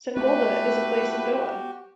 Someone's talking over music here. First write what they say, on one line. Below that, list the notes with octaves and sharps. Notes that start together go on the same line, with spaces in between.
Sangolda is a place in Goa.
A2 A3 B3 F#4 G4 B4